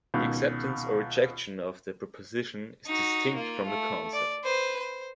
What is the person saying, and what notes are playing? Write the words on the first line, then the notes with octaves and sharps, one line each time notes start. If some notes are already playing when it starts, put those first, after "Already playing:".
The acceptance or rejection of the proposition is distinct from the concept.
C#2 B2 D#3
D#4 F#4
A#3 F4
A3
D5
B4 C5
C5